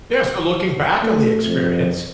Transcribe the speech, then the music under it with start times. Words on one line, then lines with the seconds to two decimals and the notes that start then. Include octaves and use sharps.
Yes, so looking back on the experience,
1.03 A3
1.47 F2